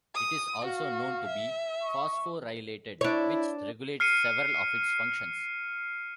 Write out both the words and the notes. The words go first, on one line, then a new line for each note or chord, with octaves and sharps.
It is also known to be phosphorylated which regulates several of its functions.
D#6
F#4 F5
E5
C#6
D4 E4 C#5
F6 C7 C#7 D#7